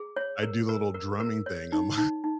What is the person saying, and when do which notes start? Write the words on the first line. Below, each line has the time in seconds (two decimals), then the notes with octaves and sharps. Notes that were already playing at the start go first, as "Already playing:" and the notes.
I do the little drumming thing on my
Already playing: G#4
0.16 C#5
0.43 A#4
0.69 A#4
0.94 A#4
1.20 A#4
1.46 C#5
1.72 D#4
1.98 D#4
2.24 D#4